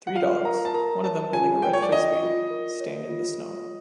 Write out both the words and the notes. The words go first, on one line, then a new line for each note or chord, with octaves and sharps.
Three dogs, one of them holding a red Frisbee, stand in the snow.
F#5
F4 F5
A#4 A#5
A5
A#4 A#5
C#5 A5
F4 G#5
A#4 G5
C#5
D5
F4 D#5
F4
A#4
C#5
F4
C#5